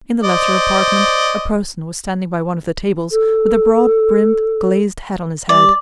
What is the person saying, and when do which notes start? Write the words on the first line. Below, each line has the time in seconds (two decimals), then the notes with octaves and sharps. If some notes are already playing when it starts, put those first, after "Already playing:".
In the latter apartment a person was standing by one of the tables with a broad-brimmed glazed hat on his head.
0.24 C5 D5 D#5
3.11 A4
5.49 G3 D5